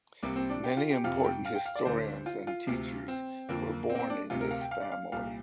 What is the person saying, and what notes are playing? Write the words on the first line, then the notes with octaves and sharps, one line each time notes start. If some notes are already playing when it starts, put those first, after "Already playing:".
Many important historians and teachers were born in this family.
C2 C3 A#3
C4
D4
G4
F4
G4
F2 C3 F5
G5
F5
G5
F5
D5
D2 D3 C5
F4
F4
D2 C3
C4
F2 D3 A#3
C4
A#3
C4
D4
D2 C3 F4
A#4
F5
G5
F5
D5
F5
C2 A#2 F5